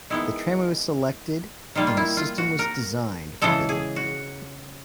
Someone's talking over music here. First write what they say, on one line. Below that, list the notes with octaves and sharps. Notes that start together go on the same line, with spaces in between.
The tramway was selected and the system was designed for bidding.
D#3 G#3 B3 E4
D#3 G3 A#3 F4
F4
E4
F4
F#4
A#4
C#3 E3 G#3 A4
G#4
F#4